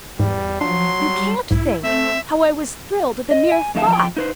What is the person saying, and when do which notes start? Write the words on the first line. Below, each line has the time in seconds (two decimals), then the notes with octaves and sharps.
You can't think how I was thrilled at the mere thought.
0.19 E2 G#2 G3
0.61 F3 F#3 D4 C6
0.99 G3
1.51 B1 G#2 E4
1.84 A3 C4 E5
3.31 D#5
3.52 G#5
3.75 F2 A2 D3 E5 F5 A5
3.88 F3 E5 G5
4.17 D#4 B4 C5